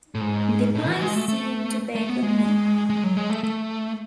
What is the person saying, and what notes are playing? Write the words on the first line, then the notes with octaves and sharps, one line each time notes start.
The pie seemed to beckon me.
A2
G#2
A2
E3
G#3
A3
A3
A3
B3
G#3
G#3
F#3
G#3
A3
A3